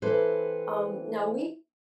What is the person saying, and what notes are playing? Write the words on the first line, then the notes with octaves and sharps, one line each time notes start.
um, now we t
E3 C4 E4 A4 B4 C5